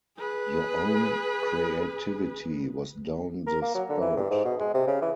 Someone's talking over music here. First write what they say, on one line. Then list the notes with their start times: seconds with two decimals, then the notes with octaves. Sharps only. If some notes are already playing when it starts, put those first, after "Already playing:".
Your own creativity was down the spout.
0.18 G#4 B4
3.47 A#4
3.62 A#3
3.75 F#3
3.89 D3
4.01 E3
4.17 G2
4.30 G#2
4.45 B2
4.60 G#3
4.74 C3
4.87 C#3
5.02 E3